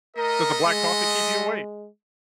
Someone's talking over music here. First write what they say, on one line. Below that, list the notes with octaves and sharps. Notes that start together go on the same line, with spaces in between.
Does the black coffee keep you awake?
A3 A#4 D#5
G#3